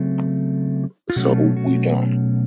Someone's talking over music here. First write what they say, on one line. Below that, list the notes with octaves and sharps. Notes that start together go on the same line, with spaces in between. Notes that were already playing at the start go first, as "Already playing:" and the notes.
So we die.
Already playing: C#3 F#3 A3 C4
F4
B2 F#3 A3 C#4 F#4
F#4